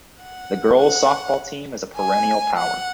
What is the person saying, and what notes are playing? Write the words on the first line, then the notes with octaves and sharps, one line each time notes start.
The girls' softball team is a perennial power.
F#5
F#5
G#5
F#5